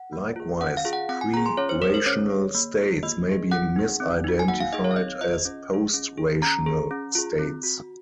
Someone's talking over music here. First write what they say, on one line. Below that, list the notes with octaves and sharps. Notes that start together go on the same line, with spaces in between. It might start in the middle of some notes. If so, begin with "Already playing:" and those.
Likewise, pre-rational states may be misidentified as post-rational states.
Already playing: F#5
A#3
F4 G#4
C#4 F#5
F5
F4 G#4
F#5
C4 F#5
G#5
F4 G#4 A#5
C6
C#4 C#5
C5
G#4 A#4
C5
C#4 C#5
G#4
A#3
F4 G#4
A#3 D#5
D#4 G#4
C4 F#5
D#4 G#4
C4
D#4 F#4
G#5
A#3 F#5
F5
D#4 G#4 D#5
C#5
F5
C4 D#5
F4 G#4 D#5
D#5
C#4
F4 G#4
C#4
G#4
C#4 A#5
G#4
C#4
F4 G#4
C4
F#4